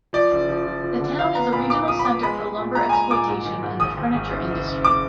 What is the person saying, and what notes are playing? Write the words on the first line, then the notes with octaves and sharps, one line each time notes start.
The town is a regional center for lumber exploitation and the furniture industry.
F3 D5
F#1
F3
F3
F3
D3
F3 F5
B3 A#5
A#2 B5
A#2 D6
F3 D#6
B5
B3 D6
G#3 B5
G#3
A#2
A#2 A#5
G#5
G#3 A#5
A#2 D6
G#2
D#3
G#2
G#1 D#6
G#1
G#1
F#1
F#1
F#1
D6